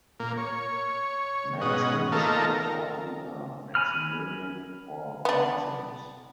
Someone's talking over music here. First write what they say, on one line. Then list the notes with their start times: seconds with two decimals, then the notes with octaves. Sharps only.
Max may be short for either "Maximilian" or "Maximus".
0.20 A#2 A#3
0.37 C#5
1.61 G#2 B2 C#4 D#5 F#5
2.12 A3 A#3 D#4 F4 A4 A#4
2.48 A#4
3.75 G#5 B5 F6
5.25 B3 D4